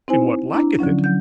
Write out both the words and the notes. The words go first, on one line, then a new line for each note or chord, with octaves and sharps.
"In what lacketh it?"
C4 D#4 E4 C5 G#5
D4 E4 A#5
D3 F3 F#3 C#4
F#3 G6